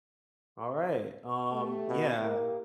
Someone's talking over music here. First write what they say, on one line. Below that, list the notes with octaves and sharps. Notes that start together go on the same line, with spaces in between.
Alright, um, yeah.
A3 B3 G4
B2
A#3 E4 G4 A#4